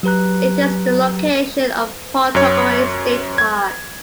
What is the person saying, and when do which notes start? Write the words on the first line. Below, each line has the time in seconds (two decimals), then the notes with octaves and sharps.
It is the location of Pawtuckaway State Park.
0.03 F#3 G4 B4 A#5 F#6
2.35 F#2 C#5
3.38 G#6